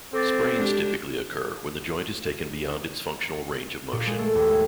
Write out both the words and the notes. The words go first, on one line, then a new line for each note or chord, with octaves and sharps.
Sprains typically occur when the joint is taken beyond its functional range of motion.
C4 A4 D6 A6
G#3 D4 G4
A#2
G#3
A3
D#2
G#3